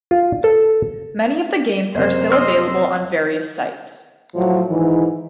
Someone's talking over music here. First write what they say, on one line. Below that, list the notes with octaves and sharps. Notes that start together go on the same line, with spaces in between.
Many of the games are still available on various sites.
F4
A4
F#1 C3 C5
D#5 C6 E6 F6
A2 F3 F#3
G#2 D#3 E3